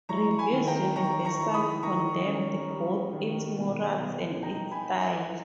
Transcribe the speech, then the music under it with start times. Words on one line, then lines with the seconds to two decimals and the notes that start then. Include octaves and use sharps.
Reviewers universally condemned both its morals and its style.
0.09 E4 A#5 C#6
0.38 G#5 B5
0.53 D#3
0.67 G5 A#5
0.96 D#3 A#5 C#6
1.25 A#5 C#6
1.40 E4
1.54 B5 D#6
1.83 D#3 A#5 C#6
2.26 C#4
2.69 G3
3.13 D#3
3.56 B2
3.99 B2
4.43 D#4 G5 A#5
4.71 G#5 B5
4.86 D#4
5.00 E5 G#5